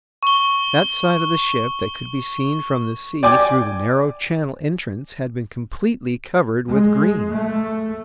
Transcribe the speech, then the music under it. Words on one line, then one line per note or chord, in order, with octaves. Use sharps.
That side of the ship that could be seen from the sea through the narrow channel entrance had been completely covered with green.
C#6 G7
D5 G5 G#5 D6
G#3
A3